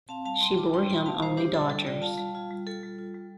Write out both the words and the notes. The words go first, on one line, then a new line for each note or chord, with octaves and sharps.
She bore him only daughters.
C4 F5 A5
G3 F5 A5
A5
G3 G5 C6
F4 A5 D6
D4 G5 C6
G3 G5 C6
G3 F5 A5
F4 C5 F5
D4 G4 C5
G3 A4
G3 A4
F4 D5 G5
F4 F5 A5
G3
F4
G3
F4 A4
G3
F4
G3